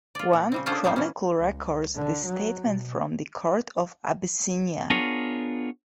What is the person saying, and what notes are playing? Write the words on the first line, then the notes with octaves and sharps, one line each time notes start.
One chronicle records this statement from the Court of Abyssinia.
F4 D5
A#2
C#3 G3 C4
C#4 D4 F4 G#4 A4 C5
A#2 F#3 G3 D#4 C5
E3 A#3 C#4
C#2
D3
F#3
B2
B3 D4 F4 G#4 A#4 C#5